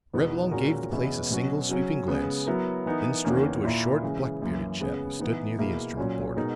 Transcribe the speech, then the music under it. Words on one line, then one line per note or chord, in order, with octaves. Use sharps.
Reblong gave the place a single sweeping glance, then strode to a short, black-bearded chap who stood near the instrument board.
E2 B2 G#3 B3 D#4
A#2 G#3 C#4 F#4 A#4
E2 B2 G#3 C#4 E4
B2 F#3 C#4 F#4
C#3 F#3 C#4
C#3 G#3 B3
F#3 B3 E4 A#4
E3 B3 D#4 A#4
E2 D#3 A#3 C#4
A#2 A#3 E4 A#4
C#3 E3 G#3
F#2 E3 A#3
C#3 G#3 B3
E3 B3 D#4
B2 A#3 E4 G#4
A#2 F#3 C#4
B2 G#3 D#4 A#4